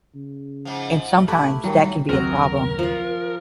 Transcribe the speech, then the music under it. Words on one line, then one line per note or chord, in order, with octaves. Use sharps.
And sometimes that can be a problem.
C#3
G#2 F3
A3 E4 G4 B4
A2 D#3 F#3 G3 A#4
F#1 D#2 D3 F#3 C4 F#4 A#4 D#5
F3 F4